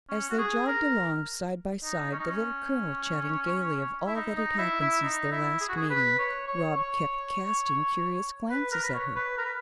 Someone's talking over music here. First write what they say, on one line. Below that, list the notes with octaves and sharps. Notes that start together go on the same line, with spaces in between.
As they jogged along, side by side, the Little Colonel chatting gaily of all that had happened since their last meeting, Rob kept casting curious glances at her.
C#4
F#4
G#4
A#4
D#4
C#4
D#4
C#4
E4
D#4
D#4
E4
E4
D#4
E4
G#4
F#4
G#4
B4
C#5
C#5
C#5
B4
A#4
B4
C#5
B4
A#4
B4